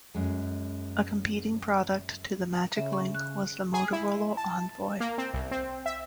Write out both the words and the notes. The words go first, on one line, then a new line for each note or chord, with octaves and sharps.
A competing product to the Magic Link was the Motorola Envoy.
F#2 G#3
C#3 E5
C#6
F#6
G#4
E4
A5
A#3
C4
C2
C4
E5